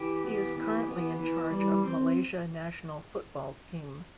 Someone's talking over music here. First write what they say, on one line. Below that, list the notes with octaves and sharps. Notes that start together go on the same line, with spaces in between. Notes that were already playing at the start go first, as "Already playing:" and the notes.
He is currently in charge of Malaysia national football team.
Already playing: E3 G4
B3
E3
B3
E3
G3
C4